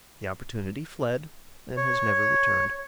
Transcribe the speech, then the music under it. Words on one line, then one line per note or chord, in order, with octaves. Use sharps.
The opportunity fled and has never returned.
C#5